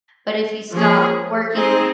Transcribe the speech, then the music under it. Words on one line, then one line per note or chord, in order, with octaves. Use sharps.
But if you stop working,
F3 A#3 C#4 G#4
C4 D#4 G#4 C5